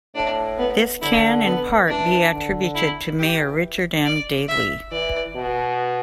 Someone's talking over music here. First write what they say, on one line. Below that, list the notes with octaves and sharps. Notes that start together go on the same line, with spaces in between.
This can, in part, be attributed to mayor Richard M. Daley.
A2 D4
B3
D3 E4
B3
E3 D4
D3
E4
E3 G4
D5
E5
E3 D5
B2